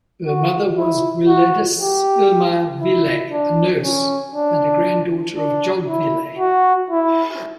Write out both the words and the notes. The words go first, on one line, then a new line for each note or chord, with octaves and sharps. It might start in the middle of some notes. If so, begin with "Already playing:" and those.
Her mother was Gwladys Ilma Vile, a nurse, and a granddaughter of Job Vile.
F#4
E4
F#4
G4
E4
D4
C#4
D4
D4
E4
F#4
E4